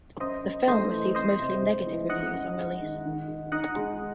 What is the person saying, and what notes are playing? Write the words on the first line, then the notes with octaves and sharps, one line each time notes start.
The film received mostly negative reviews on release.
F#2 C5 D#5
F#2
A3 C5 D#5
E3
C4 C5 D#5
C3
G#3
E3
D#4 D#5 F#5
F#2
G#3
D#3
D#3
D#3
D#4 D#5 F#5
G#3